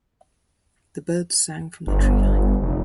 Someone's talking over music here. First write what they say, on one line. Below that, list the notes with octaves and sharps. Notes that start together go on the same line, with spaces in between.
The birds sang from the treeline.
G1
F1